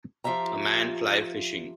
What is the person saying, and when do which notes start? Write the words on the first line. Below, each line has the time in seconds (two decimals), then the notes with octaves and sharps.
A man fly fishing.
0.24 F3 F4 G4 E5 A#5